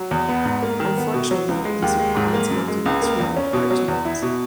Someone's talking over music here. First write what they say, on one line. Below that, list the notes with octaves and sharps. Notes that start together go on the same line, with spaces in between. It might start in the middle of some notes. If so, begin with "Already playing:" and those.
Unfortunately, these requirements can often be extremely hard to meet.
Already playing: F#3
E2
B3
G#2
A#3
D#3
B3
B2
F#3
C#2
G#3
D#2
G#3
G#2
A#3
F#2
G#3
C#2
A#3
E2
C#4
B2
F#3
E2
E4
B2